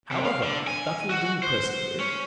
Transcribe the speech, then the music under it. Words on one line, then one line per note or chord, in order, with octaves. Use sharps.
However, that'll do presently.
C3
F5
D3
G#5
F#4
C5
C#4